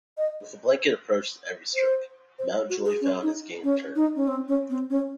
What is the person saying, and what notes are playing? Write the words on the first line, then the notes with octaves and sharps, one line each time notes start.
With a blanket approach to every stroke, Mountjoy found his game returning.
D#5
C5
C5
F#4
G#4
C#4
D#4
C#4
D#4
C#4
C4
C#4
C4
C#4